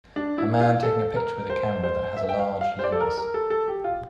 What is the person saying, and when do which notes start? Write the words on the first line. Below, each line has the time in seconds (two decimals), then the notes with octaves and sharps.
A man taking a picture with a camera that has a large lens.
0.16 D4
0.38 E4
0.61 F4
0.83 A4
1.16 A#4
1.50 C5
1.84 C5
2.17 E5
2.29 G5
2.39 F5
2.61 F5
2.79 C5
2.84 D5
2.92 A4
3.00 A#4
3.17 A#4
3.34 A4
3.50 A4
3.68 G4
3.84 F4